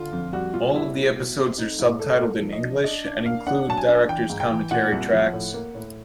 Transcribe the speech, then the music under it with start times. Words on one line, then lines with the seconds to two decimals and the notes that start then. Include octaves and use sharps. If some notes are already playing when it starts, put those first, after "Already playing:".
All of the episodes are subtitled in English and include director's commentary tracks.
Already playing: D3 F4
0.12 F2
0.33 G3 F#4
0.54 B2 F4
0.74 G3 E4
0.95 B2
1.16 B2
1.38 C4
1.58 A3 D#4
1.79 G#2 E4
2.00 A3 A4
2.20 A#3 A4
2.42 F3
2.52 D#5
2.62 D4
2.84 D4 D#5
3.05 D4
3.25 A#3 F5
3.47 D4 F#5
3.67 F#3 A5
3.77 G#5
3.88 D4
4.08 E3 G5
4.30 G#2
4.40 G5
4.50 E3
4.71 A#2 F#5
4.92 C2
5.13 F3
5.33 A2
5.54 A#3
5.75 A2